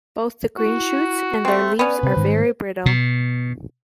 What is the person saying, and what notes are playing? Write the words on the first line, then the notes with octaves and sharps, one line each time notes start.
Both the green shoots and their leaves are very brittle.
E4 F#4
A3 C4 C6
B3 C#4 B4 D5
C3 C5
G#2 D#3
B2